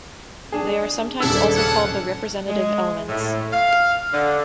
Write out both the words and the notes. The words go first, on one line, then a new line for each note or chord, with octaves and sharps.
They are sometimes also called the representative elements.
D4 G#4
D#1 C#3 D4 E4 A4 A5 E6
F4 C#5 F#5
G#3
A2
F5
D3